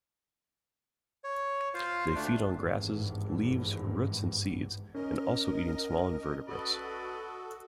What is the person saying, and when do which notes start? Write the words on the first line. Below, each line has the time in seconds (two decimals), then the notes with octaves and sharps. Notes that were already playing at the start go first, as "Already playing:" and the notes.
They feed on grasses, leaves, roots and seeds, also eating small invertebrates.
1.24 C#5
1.74 F4 C5 F5
2.15 D2 A3 D4
2.53 G#1 E2 G2
4.95 C#4 A#4 D#5
6.48 F#4 A4 B4 D5 D#5